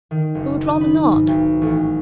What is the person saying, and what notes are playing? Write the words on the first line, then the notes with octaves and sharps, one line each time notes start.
I would rather not.'
D#3
F#1
D#4
B5
G#2
B1
A1